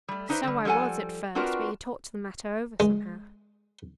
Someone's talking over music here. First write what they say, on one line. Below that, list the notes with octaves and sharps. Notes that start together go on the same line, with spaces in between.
"So I was, at first, but he talked the matter over somehow."
G3 A3
D4 D#4 B4 C5 D#5 E5
D3 G3
F3 G3 A4 F#5 G#5
C4 D4 F4 F#4 A#4 B4
G#3